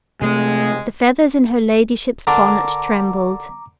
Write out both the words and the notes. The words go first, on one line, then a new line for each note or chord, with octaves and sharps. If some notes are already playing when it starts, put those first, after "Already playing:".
The feathers in her ladyship's bonnet trembled.
C3 G#3 A3
D3 D4 A#4 A#5 D6